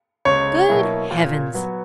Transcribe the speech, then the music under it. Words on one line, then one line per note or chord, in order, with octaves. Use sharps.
"Good Heavens!"
C#2 C#5
B2 F#3 A#3 E4
A#2
F#3 B3 F#4